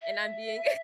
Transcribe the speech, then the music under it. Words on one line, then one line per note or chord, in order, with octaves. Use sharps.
and I'm being
E5